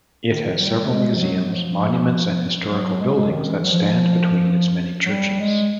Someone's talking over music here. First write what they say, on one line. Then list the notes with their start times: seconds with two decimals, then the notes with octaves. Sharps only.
It has several museums, monuments and historical buildings that stand between its many churches.
0.31 D#3
0.61 G3
0.85 A3
0.91 G#3
1.15 F3
1.21 F#3
1.46 F#3
1.50 F3
2.70 F#3
3.01 G#3
3.08 G3
3.14 G#3
3.30 D#3
3.50 E3
3.64 F#3
3.71 F3
5.06 F#3
5.11 G3
5.40 G#3